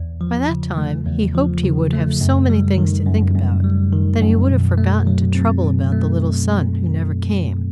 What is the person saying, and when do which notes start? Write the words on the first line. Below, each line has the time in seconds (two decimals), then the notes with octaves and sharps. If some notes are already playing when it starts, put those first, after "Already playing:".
By that time he hoped he would have so many things to think about that he would have forgotten to trouble about the little son who never came.
Already playing: E2
0.21 F3
0.49 C#3
0.78 A3
1.06 E2
1.35 F3
1.64 C#3
1.93 A3
2.21 F#2
2.50 G3
2.78 D#3
3.06 F#2
3.35 F#2
3.64 G3
3.93 D#3
4.21 F#2
4.49 B2
4.78 A3
5.07 F#3
5.35 C4
5.63 B2
5.92 A3